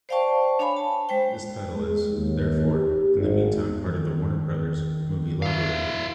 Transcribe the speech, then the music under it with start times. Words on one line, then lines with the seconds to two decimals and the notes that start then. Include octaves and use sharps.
This title is, therefore, in the mean time part of the Warner Bros’ movie library.
0.09 C5 D5 F5 G5 A5 C#6
0.59 D4 C#5 F5 G#5 B5
0.77 A5
1.09 G#3 C5 G5
1.73 G#3
2.11 D#2
2.72 G4
3.16 G#1
3.86 D#3
5.42 E4 F5